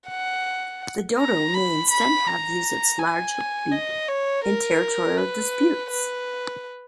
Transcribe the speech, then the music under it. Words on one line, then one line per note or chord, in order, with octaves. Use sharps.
The dodo may instead have used its large, hooked beak in territorial disputes.
F#5
A#5
B5
B5
A#5
G#5
D#5
C#5
A#4
B4
B4